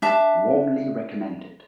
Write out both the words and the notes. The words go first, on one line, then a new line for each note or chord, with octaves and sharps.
Warmly recommended.
D4 E5 A5